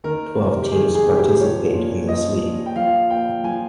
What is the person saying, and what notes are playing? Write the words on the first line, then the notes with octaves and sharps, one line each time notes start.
Twelve teams participate in this league.
D#3 A#4
C3
G4
D#3 G#4
G#4
C3
G4
F3 C#5
A#2
F3 D#5
A#2
G5
F3 F5
A#2 G5
F3 G#5